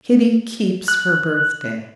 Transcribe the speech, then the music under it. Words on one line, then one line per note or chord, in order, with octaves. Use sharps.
Kitty Keeps Her Birthday.
F#6